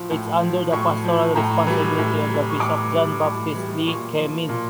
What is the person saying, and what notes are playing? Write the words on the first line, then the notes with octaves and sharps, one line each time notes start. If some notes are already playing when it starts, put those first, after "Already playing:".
It’s under the pastoral responsibility of the bishop John Baptist Lee Keh-mien.
Already playing: A2 F3
A2
F3
A2 C#6
F3
A2 A#5
E3 G3
A2
E3 G3
C#6
A2 D6
E3 G3
A2
E3 G3
A#2 C#6
F3
A#2